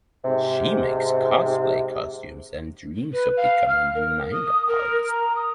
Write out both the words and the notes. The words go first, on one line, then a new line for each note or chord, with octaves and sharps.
She makes cosplay costumes and dreams of becoming a manga artist.
G#2 C3
B4
F5
F6
A#4
D#6
A#4
A#5
D#6